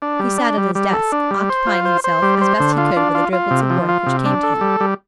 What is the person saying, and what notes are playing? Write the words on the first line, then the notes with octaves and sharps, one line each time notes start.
He sat at his desk, occupying himself as best he could with the driblets of work which came to him.
D4
G3
D4
G3
G3
A4
D4
G3
C5
F4
C5
C5
G3
C5
D3
F4
D4
F4
F4
C3
F3
F4
C3
D4
A4
G3
G3